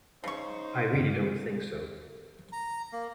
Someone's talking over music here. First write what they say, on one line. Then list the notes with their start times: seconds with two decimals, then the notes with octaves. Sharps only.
I really don't think so.
0.24 C#3 D#4 C5 C#6
0.93 G2 E3 D5 F6
2.52 A#5
2.92 A#3